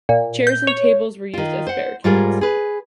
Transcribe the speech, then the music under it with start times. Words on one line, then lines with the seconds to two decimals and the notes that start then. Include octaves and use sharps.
Chairs and tables were used as barricades.
0.09 A#2
0.47 G6
0.67 C#5
1.34 D#3 F4
1.67 C5 F#5
2.04 G#2 G3 F4 G#4 A#4
2.41 G#4 B4